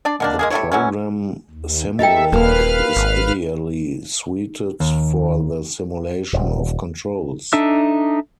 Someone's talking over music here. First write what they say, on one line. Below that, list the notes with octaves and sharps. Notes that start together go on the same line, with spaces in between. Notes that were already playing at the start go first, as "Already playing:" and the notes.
The program Simulink is ideally suited for the simulation of controls.
D4 D5
B2 A#3 D4
G#3 A#3 G#4
G3 A3 E4 C#5
E3 F#3 C#4
D#2
G4 A4 A#4 D#5 E5 G5
D#1 A#3 A4 B4 F5 F6
G#1
D#2
D#1
D4 D#4 A4 E5 E6